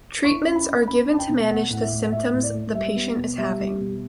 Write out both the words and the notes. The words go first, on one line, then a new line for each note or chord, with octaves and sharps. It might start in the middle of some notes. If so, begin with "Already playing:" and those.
Treatments are given to manage the symptoms the patient is having.
E4 C#6
C#4
B5
C#4
C#4 B5
C#4
A5
G5
B2
A3 F#5
A2 F#5
E5
A2
A3 E5
A2
D5
A3
G3 E5
B3
B2
G3 E5
G3
B2